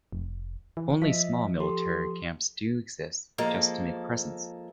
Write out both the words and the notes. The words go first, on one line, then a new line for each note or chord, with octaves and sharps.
Only small military camps do exist just to make presence.
F1
E3
F3 D#5 E5 B6
G4 A4 C6
F3 G#3 A#3 A4